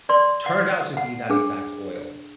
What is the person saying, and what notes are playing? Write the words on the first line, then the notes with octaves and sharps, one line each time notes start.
turned out to be that exact oil,
D5 C6
F#5
F#5
D4 G#4